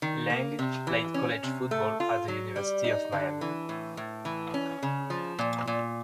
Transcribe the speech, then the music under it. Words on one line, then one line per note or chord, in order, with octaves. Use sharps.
Lang played college football at the University of Miami.
D#3
A#3
C3
E3
C#4
C3
A3
F4
F#3
G3
D#4
D3
E3
A2
A2
E3
C#4
C#3
F3
A#2
A#2